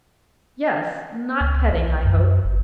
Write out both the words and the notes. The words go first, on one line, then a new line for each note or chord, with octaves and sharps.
Yes; not petting, I hope.
C#2
B1
F#2
G1